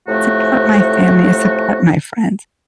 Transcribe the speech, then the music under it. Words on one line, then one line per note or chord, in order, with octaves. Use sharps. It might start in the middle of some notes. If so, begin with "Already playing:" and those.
support my family. I support my friends.
A2 C3 F3 A3 F#4